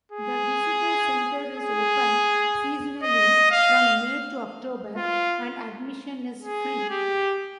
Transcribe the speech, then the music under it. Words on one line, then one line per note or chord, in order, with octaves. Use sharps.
The Visitor Center is open seasonally from May to October, and admission is free.
G#4
G#4
D#5
F5
F4
G#4
G4